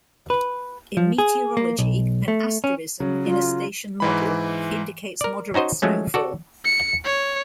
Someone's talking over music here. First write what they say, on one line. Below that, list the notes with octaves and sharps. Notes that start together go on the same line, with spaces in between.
In meteorology, an asterism in a station model indicates moderate snowfall.
B4
F3
G#4
A#3
B1
A3
C#4
C#3 F#3
F4
G#2 E3 B5
A#4 D5
C#4 D#4 F#4 C5 D#5
F3 F#3 G#3 A3 C#4
F#4 A4 D5
C#7
C#5